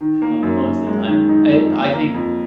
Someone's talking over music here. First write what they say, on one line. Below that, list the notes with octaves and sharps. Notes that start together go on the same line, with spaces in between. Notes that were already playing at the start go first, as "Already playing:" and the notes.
uh, most of the time. Eh, I think
D#3
A#3
F#2
F#2
G#3
D#3
D#4
F2
A#3
A#3
F2